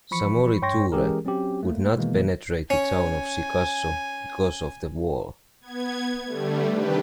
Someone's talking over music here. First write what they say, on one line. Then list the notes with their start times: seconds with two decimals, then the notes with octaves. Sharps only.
Samori Toure could not penetrate the town of Sikasso because of the wall.
0.11 E3 F3 B5 C#6 C#7
0.62 G2 C#5 G5 C6 C#6 A#6
0.92 E3 G#3 C#4 G4 G#4 A#4
1.25 F#3 C4 C#4 F#4 G4
1.63 A3 A#3
1.96 B2 D#3 E3 G#3 A#3 B3
2.70 C#4 G#5
5.61 B3 G#6
6.25 D3 G3 A3
6.71 C3 D#3 D4 G4 B4